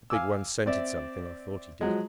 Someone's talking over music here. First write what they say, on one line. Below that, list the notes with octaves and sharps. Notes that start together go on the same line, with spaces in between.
"The big one scented something, or thought he did."
F5 G#5 D6 E6
C4 D5 E5
F3 F#3 G#3